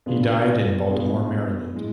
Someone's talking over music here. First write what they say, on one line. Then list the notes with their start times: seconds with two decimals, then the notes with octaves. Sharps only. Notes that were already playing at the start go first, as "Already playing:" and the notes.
He died in Baltimore, Maryland.
0.06 B2 B3 D4 F4 G#4
0.91 B2 B3 D4 F4 G#4
1.75 A2 G#3